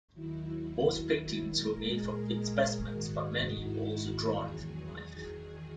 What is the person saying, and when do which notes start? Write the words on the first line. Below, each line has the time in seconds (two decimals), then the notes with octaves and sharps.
Most paintings were made from dead specimens, but many were also drawn from life.
0.13 D#2 D#3 F#3 E4
0.83 E4
1.51 A#2 G#3 A#4
1.87 G#4
2.90 G#2 D#3 G#3 F#4
3.24 D#4
3.59 E4
3.93 E4
4.28 E2 D#3 F#3 G#4
4.97 G#4